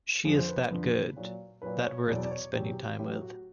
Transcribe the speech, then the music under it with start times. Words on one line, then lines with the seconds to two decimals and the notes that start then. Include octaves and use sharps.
She is that good, that worth spending time with.
0.25 F2 D3 F3 G#4
0.37 C5
0.48 B4
0.71 F2 D3 F3
1.16 A#2 F#3
1.62 A#2 F#3 B4
1.85 C#5
2.07 E2 B2 F#3 D5
2.25 D5
2.31 C#5
2.53 E2 B2 F#3 G4
2.99 A2 F#3 G4
3.22 F#4